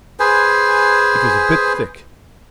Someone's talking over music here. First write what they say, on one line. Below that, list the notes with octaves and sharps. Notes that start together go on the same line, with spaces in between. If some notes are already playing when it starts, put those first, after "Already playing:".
It was a bit thick.'
G#4 B4 C5 G#5